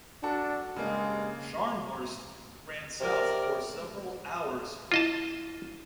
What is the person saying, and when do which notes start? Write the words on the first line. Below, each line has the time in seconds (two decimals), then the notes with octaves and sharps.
"Scharnhorst" ran south for several hours.
0.24 D4 F#4 A4
0.76 G2 C#3 G#3 A#3
3.00 C3 A#4 D5
4.92 E4 F4 D#5 A5